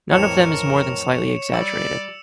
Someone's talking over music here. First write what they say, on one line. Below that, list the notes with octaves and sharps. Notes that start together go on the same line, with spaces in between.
None of them is more than slightly exaggerated.
F2 A2 E3 A#4 C#5 C#7 E7 F7
G3 D5 E6